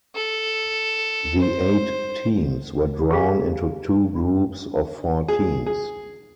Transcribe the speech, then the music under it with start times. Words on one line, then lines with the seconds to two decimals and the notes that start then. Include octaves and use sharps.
The eight teams were drawn into two groups of four teams.
0.15 A4
1.40 C5
3.11 G4 G#4 F5
5.28 G#4
5.66 G#4